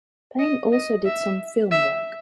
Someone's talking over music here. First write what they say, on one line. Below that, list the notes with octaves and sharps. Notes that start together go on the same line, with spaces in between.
Payn also did some film work.
D#5
D#5
E5
E5